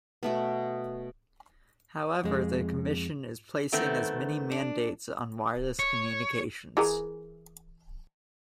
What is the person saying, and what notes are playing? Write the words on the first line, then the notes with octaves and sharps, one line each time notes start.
However the commission is placing as many mandates on wireless communications.
B2 A3 B3
F2 G#3
D#3 A3 B3 C4
D4
C#5
E3 G#4 A#4